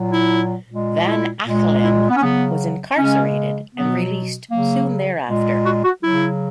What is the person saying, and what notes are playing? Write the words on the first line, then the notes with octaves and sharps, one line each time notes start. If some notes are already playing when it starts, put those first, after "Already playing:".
Van Achelen was incarcerated and released soon thereafter.
Already playing: A#2 F#3
E4
A#2 G#3
E4
A#2 G#3
E4
B3
C#4
C#3 F#3 B3
C#3 G#3 C#4
B2 F#3 B3
C#3 F#3 A#3
A#2 G#3
F#4
F#4
C#3 F#3 E4